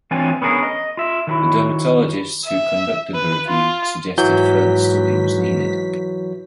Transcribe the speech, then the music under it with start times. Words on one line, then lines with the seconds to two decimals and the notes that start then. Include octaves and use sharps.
The dermatologists who conducted the review suggested further study was needed.
0.11 E3 C4 D4 F4 C#5 G#5
0.42 B3 C#4 D4 G#4 A#4
0.63 D#5
0.97 F4 E5
1.27 D#3 F#3 E4
2.46 E5
3.15 B4
3.48 F4
4.18 G#2 E3 F#3 G6 B6